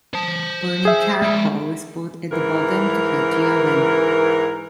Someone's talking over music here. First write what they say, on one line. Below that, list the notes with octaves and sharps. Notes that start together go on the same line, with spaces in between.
Burning charcoal is put at the bottom to heat the oven.
C5 A5
G#4 E5
G#3 D5
G#2 E3 A#4